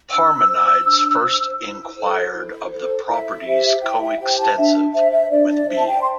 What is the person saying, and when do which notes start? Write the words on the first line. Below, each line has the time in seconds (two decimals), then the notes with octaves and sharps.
Parmenides first inquired of the properties co-extensive with being.
0.11 D4 E6
0.48 C5
0.86 D4
1.22 C5
1.59 E4
1.97 A4 C5
2.34 E4
2.71 A4 C5
3.08 E4 E5
3.46 G4 C5
3.82 E4 G5
4.00 E5
4.19 G4 C5 G5
4.38 A5
4.56 D4 E5
4.93 C5 E5
5.12 E5
5.30 D4 D5
5.49 D5
5.68 C5 E5
5.78 A5
5.86 G5
6.01 C6